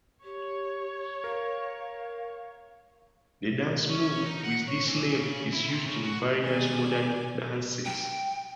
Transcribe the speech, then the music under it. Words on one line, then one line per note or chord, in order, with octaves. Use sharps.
The dance move with this name is used in various modern dances.
G4 C#5
A#4 F5
C#4
D#4
F#5
C#5
E3
C#3
E4
C3
C#3
F#4
D#3 G#3 B3 D5 G#5
G5